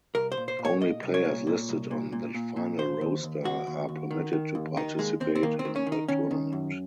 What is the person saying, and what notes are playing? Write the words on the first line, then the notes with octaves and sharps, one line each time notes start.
Only players listed on that final roster are permitted to participate in the tournament.
C2 A#4
C5
A#2
C5
A#2
C#5
A#2 D#5
C2
C#5
A#2
A#2
C2
A#2
A#2
A#2
A#2
D#2 C5
D#2
D#2
D#2 F#4
D#2
D#2
D#3
D#3
D#2
D#3 D#4
D#2 G#3
D#2 C4
C4
D#3 A#3
C4
D#3
C#4
D#3
D#4
D#3 C#4
D#3
F#2